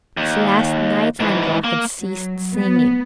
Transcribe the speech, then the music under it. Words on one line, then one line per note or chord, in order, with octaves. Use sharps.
His last nightingale had ceased singing.
D#2
G#2 E3
A#3
F#3
B3